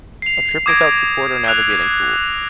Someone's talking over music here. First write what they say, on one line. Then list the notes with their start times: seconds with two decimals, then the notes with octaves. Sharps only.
A trip without support or navigating tools.
0.22 C7 F7
0.66 D6 D#6 G#6 A#6 D7
1.47 E6 F#6 F7